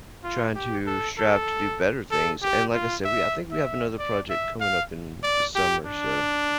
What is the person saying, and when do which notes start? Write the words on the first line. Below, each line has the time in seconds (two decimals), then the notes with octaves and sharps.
trying to strive to do better things, and like I said, we I think we have another project coming up in the summer, so
0.24 F4
0.55 G4
0.86 A4
1.18 A4
2.11 A4
2.42 G4
2.74 F4
3.04 E5
3.52 E5
3.99 D5
4.30 E5
4.60 F5
5.23 D5
5.55 G4
5.86 D4